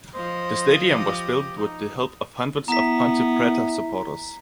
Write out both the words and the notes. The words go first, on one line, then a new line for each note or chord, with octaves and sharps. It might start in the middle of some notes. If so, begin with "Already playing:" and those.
The stadium was built with the help of hundreds of Ponte Preta supporters.
F3 C5 D#5
G4
D#4
B3 E4 A#5 B6